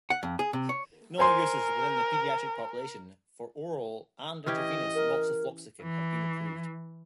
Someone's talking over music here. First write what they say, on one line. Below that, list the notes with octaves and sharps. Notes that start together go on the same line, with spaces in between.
No uses within the pediatric population for oral and intravenous moxifloxacin have been approved.
F#5
F2
G#4
C3
C#5
A#4 C5 G#5 C6
E3 C#4 G4 D#5
A#4
E3